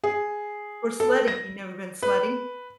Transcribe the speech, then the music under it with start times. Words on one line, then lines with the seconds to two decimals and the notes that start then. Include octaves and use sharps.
Or sledding. You never been sledding?
0.04 G#4
1.00 A4
1.28 A#6
2.03 B4